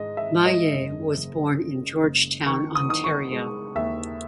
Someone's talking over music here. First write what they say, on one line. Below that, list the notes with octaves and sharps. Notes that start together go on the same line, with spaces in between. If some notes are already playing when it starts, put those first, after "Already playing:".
Maillet was born in Georgetown Ontario.
Already playing: G#2 G#3 D#5
E5
G#2
D#5
F#2
F#1
C#3
F#1
D#3 C#6
D#6
D#4 D#6
C#6
G#3
D#2 E5